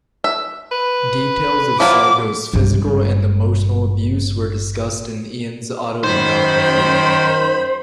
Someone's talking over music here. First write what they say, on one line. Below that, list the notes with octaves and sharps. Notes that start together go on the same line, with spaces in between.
Details of Sargo's physical and emotional abuse were discussed in Ian's autobiography.
E5
B4
F3 F#3 E4 F4 D6
G#1 G2
F#2 D#3 C5 B5